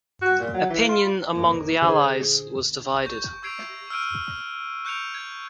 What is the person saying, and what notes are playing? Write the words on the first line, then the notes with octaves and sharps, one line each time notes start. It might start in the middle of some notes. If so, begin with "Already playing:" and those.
Opinion among the allies was divided.
F#4
A#2
F#3
E3
F4
F2 A#3
D3 G#4 C5 G#5
C#6 G6
C#6 E6 G#6 C7 D7 F7
E6 F6 G6 D7 D#7
C#6 F#6 G6 C#7 D7 F7
G#6